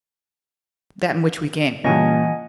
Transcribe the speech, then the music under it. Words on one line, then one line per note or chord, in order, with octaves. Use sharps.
"That in which we came."
G2 A#2 C#3 E3 A#3 D#5 F#5 G#5